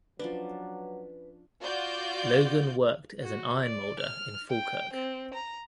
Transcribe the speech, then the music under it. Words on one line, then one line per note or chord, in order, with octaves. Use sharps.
Logan worked as an iron moulder in Falkirk.
F3 F#3 C#4 D4 B4
F4 F#4 D5 G6
F#4
D5
F6
G5
C4
A#5